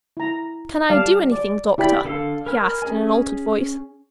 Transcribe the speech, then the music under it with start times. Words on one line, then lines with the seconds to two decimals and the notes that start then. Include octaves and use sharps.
'Can I do anything, Doctor?' he asked, in an altered voice.
0.17 E4 A#5
0.89 G3 D5 F5 A5
1.32 D5
1.78 E4 G4 D5 B5
2.05 D3 A4 F5
2.46 A#4 B4 G#5 F6
2.82 C#4 G#4 D#5 G#5